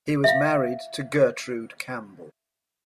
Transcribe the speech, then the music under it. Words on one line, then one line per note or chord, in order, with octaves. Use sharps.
He was married to Gertrude Campbell.
E5 F5